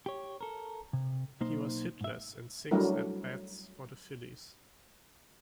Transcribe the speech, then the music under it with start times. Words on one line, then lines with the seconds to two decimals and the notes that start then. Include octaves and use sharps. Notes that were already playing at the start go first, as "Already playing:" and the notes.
He was hitless in six at-bats for the Phillies.
0.06 G4 C#5
0.41 A4 A#4
0.93 C3
1.41 B1 A#3 D#4 C5
2.01 G#2 E5
2.71 F#3 G3 A3 D4 E4 A#4